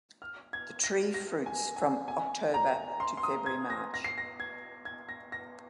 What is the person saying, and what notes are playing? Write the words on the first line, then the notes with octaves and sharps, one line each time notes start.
The tree fruits from October to February–March.
F6
G#6
A#6
A#6
G#5
G#5
G#5
A#5
C6
C6
D#6
G#6
A#6
A#6
C7
A#6
G#6
G#6
A#6
A#6